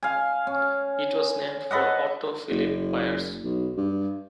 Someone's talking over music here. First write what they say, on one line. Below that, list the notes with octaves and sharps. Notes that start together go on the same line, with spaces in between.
It was named for Otto Phillip Byers.
F5 G#5
C#4
A4 B4 D#5 F#5
F#1
B1
G2